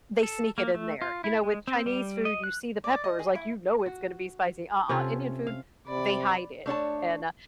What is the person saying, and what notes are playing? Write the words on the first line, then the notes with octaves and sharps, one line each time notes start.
they sneak it in there. You know, with Chinese food, you see the peppers, like, you know it's gonna be spicy. Uh-uh, Indian food; they hide it and, uh
A4
A#3
A3
F4
E4
G#3
C4
G3
D#5
F#6
D5
D#5
G#4
E4
F#4
C3 C#4 F4 A4
F5
C3 D5 B5
A3 D4 C#5 A5